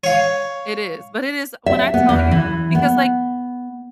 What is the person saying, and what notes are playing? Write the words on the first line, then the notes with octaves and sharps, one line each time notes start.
it is. But it is when I tell you because, like,
C#5 F5
E5
B3
E2
E3
B3